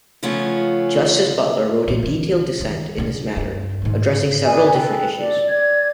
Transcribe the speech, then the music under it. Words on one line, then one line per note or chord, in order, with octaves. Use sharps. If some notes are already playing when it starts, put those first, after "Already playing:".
Justice Butler wrote a detailed dissent in this matter, addressing several different issues.
C#3 F3 A3 B3 C#4 F4
A#2 E3
E3
D#3 G#3
C#3 D4
G2
G#2 D#3
G#4 B4 D5 G#5
A4 B4 G5
D5
D5 G#6